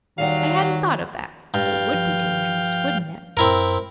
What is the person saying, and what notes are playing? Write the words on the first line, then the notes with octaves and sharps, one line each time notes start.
"I hadn't thought of that--it would be dangerous, wouldn't it?"
E2 D#3 F#3 G3 F5 F#5
G2 F5 G5
F3
F#2 C4 E4 A#4